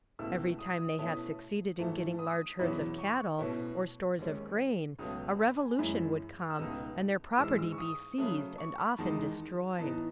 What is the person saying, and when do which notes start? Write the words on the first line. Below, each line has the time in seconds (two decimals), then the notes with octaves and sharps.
Every time they have succeeded in getting large herds of cattle or stores of grain a revolution would come and their property be seized and often destroyed.
0.19 C#2 B2 A3 E4 E6
0.59 D#6
0.79 D#6
0.99 B2 A3 C#4 E4 D#6
1.79 G#2 E3 A3
2.19 D#6
2.59 E2 B2 F#3 C#4 E4 B5
2.98 C#6
3.39 B2 A3 C#4 E4
4.19 D#2 D#3 G#3 C#4
4.99 C#2 B2 F#3 A3 D#6
5.39 B5
5.59 G#5
5.79 F#2 E3 G#3 C#4 E4 B5
6.50 E6
6.59 C#2 B2 A3 D#4 D#6
7.38 G#2 E3 G#3 E6
7.59 E6
7.72 C#6
7.78 D#6
8.18 C#3 F#3 A3 D#6
8.58 C#6
8.78 B5
8.98 E2 D#3 G#3 D#4 A5
9.78 A2 E3 B3 D#4 A5